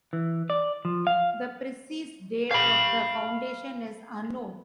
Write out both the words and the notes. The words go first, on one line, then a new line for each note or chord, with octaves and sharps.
The precise date of the foundation is unknown.
E3
D5
F3
F5
F5 B5